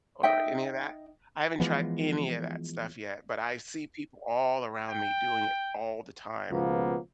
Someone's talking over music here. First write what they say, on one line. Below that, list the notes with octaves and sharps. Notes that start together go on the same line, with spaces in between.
or any of that. I haven't tried any of that stuff yet, but I see people all around me doing it all the time,
D#4 D#5 E5 G5
E3 F3 G#3 B3
G5
C#2 B2 F3 A#3 B3